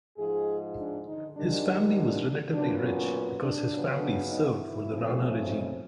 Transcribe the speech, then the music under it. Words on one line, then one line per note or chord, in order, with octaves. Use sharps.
His family was relatively rich because his family served for the Rana regime.
G#2 F3 G#3 G#4
D4
D#4
G#2 D#3 G3 D4
D4
A#2 F#3 B3 D4
C#4
D4
C#3 F#3 B3
D4
D#4
E4
D2 C#3 F3 A3 C4
D#4